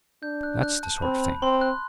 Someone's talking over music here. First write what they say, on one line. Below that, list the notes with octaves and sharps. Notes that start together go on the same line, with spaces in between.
That's the sort of thing!'
D4 G6
F#6
F#6
A5
C4 B5
B5
C4 C6
F#6